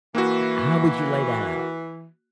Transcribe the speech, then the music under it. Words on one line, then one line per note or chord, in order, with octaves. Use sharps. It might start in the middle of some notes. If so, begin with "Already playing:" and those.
H how would you lay that out?
E3 A#3 F#4